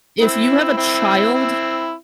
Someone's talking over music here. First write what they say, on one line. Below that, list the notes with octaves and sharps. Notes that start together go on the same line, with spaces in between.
If you have a child
C4 E4
C4 E4
C4 E4